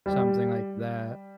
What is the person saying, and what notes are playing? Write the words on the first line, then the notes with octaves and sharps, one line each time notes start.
something like that.
G3